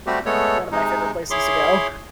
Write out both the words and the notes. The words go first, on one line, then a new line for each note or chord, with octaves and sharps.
one of my favorite places to go.
G3 A3 C4 F#4 G4
G#3 A3 B3 A4 C#5
C3 G#3 D#4
E4 G#4 C#5 B5 C6 D6